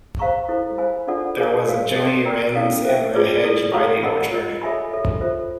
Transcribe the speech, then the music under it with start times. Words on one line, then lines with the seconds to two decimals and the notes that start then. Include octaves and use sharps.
There was a jenny wren’s in the hedge by the orchard.
0.19 C5 F5 A#5 C#6
0.49 E4 A4 C5
0.78 C5 F5 G#5 B5
1.07 D4 F4 A4 D5 F#5
1.37 G#4 C5 F5 G#5
1.67 F#4 A#4 C#5 F5
1.96 A4 D5 G5 C6
2.25 A#4 D5 G5 A#5
2.56 C#4 E4 A4 C#5 F5
2.85 C5 E5 G5
3.14 F4 G#4 B4 D5
3.44 E4 A4 D5
3.73 F#4 A4 C#5 F5 A#5
4.03 A#4 D#5 F#5 B5
4.32 F4 A#4 D#5
4.62 A4 C#5 E5 G#5 B5
4.91 A4 C#5 E5
5.21 F4 A4 C5 E5